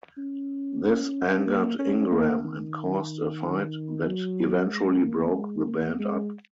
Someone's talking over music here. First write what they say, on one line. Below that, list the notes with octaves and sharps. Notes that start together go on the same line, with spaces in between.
This angered Ingram, and caused a fight that eventually broke the band up.
C#4
A#3
C#4
A#3
D#3
F#3
G#3
A#3
G#3
A#3
G#3